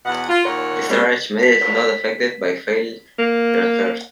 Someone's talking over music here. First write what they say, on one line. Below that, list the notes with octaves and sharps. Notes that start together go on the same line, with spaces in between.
The storage media is not affected by failed transfers.
E2 B2 F#5
F4
D#2 A#2 A#4 C#5 F#5
B2 G3 G#3 A#3 C4
B6
A#3